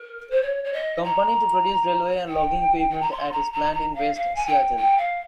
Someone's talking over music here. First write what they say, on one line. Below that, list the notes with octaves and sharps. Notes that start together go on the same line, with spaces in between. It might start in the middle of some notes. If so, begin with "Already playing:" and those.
Company to produce railway and logging equipment at its plant in West Seattle.
Already playing: A#4
C5
C#5
C#5
D#5
A#5
G5
G5
A#5
C6
A#5
A#5
A#5
F5
F5
G#5
G5
G5
F5